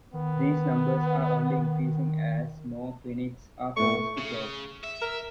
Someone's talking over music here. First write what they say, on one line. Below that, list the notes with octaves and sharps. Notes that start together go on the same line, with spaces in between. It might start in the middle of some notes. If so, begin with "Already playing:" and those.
These numbers are only increasing as more clinics are forced to close.
D#3 B3
A2 A3 C#6
C#3
E5
A#4